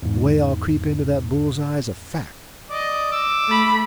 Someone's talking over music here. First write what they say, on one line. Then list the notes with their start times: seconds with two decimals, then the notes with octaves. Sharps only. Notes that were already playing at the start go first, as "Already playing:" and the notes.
"The way I'll creep into that bull's-eye's a fact."
0.02 E2 G#2
2.70 D5 D#5
3.12 D6 E6
3.48 A3 B5